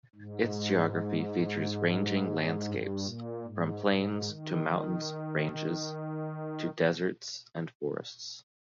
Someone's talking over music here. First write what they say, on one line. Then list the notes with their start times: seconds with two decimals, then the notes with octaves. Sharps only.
Its geography features ranging landscapes, from plains to mountains ranges to deserts and forests.
0.16 G#2
2.63 G2
3.03 A#2
3.45 G#2
3.86 G#2
4.27 D#3